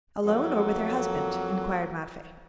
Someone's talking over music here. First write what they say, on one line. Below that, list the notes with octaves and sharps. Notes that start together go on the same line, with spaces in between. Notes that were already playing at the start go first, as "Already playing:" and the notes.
"Alone, or with her husband?" inquired Matvey.
F2 F#3 A#3 A4